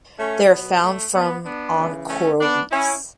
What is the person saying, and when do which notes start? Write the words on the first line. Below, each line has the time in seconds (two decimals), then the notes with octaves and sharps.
They are found from on coral reefs.
0.19 A3 C#4
0.50 B2 F#3 B3
0.82 A3
1.14 B3
1.45 B3 D4
1.77 C#3 E3
2.08 A3 C#4
2.40 B3 D4
2.71 C#4 E4